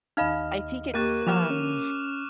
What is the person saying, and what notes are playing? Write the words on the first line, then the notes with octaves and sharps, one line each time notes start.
I think it's, um
D#2 D#4 D#5 F5 B5 F6
A#3 G4 C#6 F#6 A6 D#7
F3 D6 F6 E7
C#4